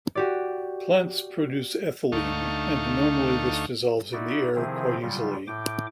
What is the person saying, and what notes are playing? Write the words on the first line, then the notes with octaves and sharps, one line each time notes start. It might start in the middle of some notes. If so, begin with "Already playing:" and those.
Plants produce ethylene, and normally this dissolves in the air quite easily.
F#4 G4 D5
D2 A3 D#4 F5 C#6
D#4 E4 F#4 D5
C3 D#3 F3 C4 E4 G#4
C#3 F#3 G3 F4
A2 G5 D6